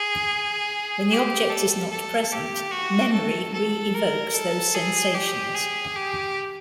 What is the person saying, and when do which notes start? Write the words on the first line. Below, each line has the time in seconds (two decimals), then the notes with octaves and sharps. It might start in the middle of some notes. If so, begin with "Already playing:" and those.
When the object is not present, memory re-evokes those sensations.
Already playing: G#4
1.11 G4
1.50 A4
1.90 A4
2.32 G4
2.72 F#4
3.12 A4
3.53 A4
3.94 A#4
4.34 A4
4.75 G#4
5.15 G4
5.55 G#4
5.96 G4